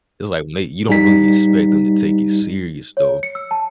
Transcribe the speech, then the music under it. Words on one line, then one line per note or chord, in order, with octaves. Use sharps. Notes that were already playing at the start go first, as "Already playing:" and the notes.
it's, like, "Mate, you don't really expect them to take it serious, though."
G3 D#4 B6
C#5
C#7
E6
A5